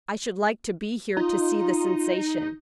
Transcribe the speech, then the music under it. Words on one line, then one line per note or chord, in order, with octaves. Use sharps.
I should like to be here to see the sensation.
D#4 F4